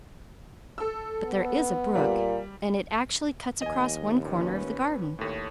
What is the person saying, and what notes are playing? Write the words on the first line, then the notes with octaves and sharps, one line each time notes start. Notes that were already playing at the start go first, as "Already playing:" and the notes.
"But there IS a brook--and it actually cuts across one corner of the garden."
A4 E6
B3
A#2 G3
D#2 D#5 G#5
A#2 C#4 B4
D#2 A2 A4 C#5